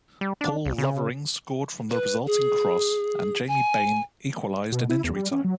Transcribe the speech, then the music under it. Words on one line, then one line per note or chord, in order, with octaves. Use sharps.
Paul Lovering scored from the resulting cross and Jamie Bain equalised in injury time.
G3
D4
C2
C#3
B4
G#4
G#5
B2
E4
E2
G3
C#4
F#3